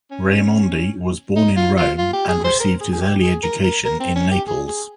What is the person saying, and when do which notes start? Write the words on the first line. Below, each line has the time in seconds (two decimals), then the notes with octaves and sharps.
Raimondi was born in Rome, and received his early education in Naples.
0.11 C#4
1.36 D#4
1.57 F4
1.77 F4
1.98 F4
2.13 G4
2.29 G#4
2.44 C5
2.60 A#4
2.81 G#4
2.93 G#4
3.02 G4
3.22 G#4
3.43 A#4
3.64 A#4
3.85 A#4
4.00 C4
4.16 C#4
4.32 G4
4.47 G#4
4.67 G#4